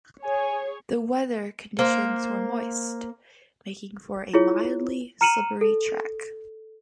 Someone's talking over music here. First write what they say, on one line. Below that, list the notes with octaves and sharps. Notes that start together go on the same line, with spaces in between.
The weather conditions were moist, making for a mildly slippery track.
G#4 C#5 G#5
A#3 C5
E4 F4 G#4 C#5
A#5 F6 C#7 D#7 E7 F#7
A4